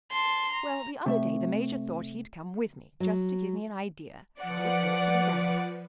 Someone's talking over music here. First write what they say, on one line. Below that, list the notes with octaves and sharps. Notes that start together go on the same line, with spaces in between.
Well, the other day the Major thought he'd come with me, just to give me an idea how it ought to be done.
A5 C6
A#5
C3 A3 E5
F#3
F3 B4 D5 F#5